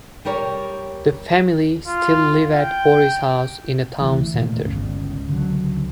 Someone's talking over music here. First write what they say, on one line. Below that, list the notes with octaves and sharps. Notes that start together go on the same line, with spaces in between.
The family still live at Borris House in the town centre.
G3 G4 A#4 C#5
F4
G5
D2 E3
A#2 D#3 F3 A3
G1 C#2 C#3
C#2 D3 F3 F#3